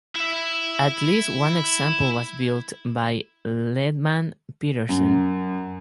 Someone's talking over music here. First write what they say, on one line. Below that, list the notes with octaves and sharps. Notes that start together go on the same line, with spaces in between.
At least one example was built, by Lehmann-Peterson.
E4 E5
F#2